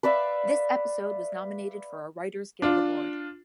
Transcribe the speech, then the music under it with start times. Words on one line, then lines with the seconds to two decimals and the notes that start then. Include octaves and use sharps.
This episode was nominated for a Writers Guild Award.
0.03 B4 D5 E5 F5
2.62 D4 F4